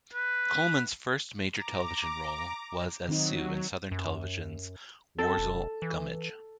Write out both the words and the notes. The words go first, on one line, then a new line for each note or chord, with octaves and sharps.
Coleman's first major television role was as Sue in Southern Television's "Worzel Gummidge".
B4
A#5 D6
D#3 F#3 C4 D#4
F#2
C4 A4
E1
E3